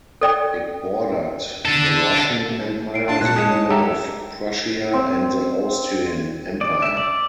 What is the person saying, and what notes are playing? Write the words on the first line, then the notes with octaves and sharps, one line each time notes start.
It bordered the Russian Empire, the Kingdom of Prussia and the Austrian Empire.
A4 D5 G5
D4 A4
C7 D7
D4 F4 A5
A#2 F#6 C#7
G#3
C#5
G4 A4 E5 A#5
C4
D5
E5
D5